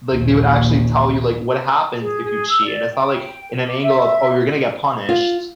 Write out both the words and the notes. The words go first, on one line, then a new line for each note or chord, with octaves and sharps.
like, they would actually tell you, like, what happens if you cheat, and it's not, like, in an angle of, "Oh, you're gonna get punished,"
A#1 D#2
G#4
G#4
E6
D5
G5
D6
E5
F4